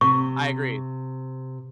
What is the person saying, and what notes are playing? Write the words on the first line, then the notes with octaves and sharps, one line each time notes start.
I agree,
C3 C#6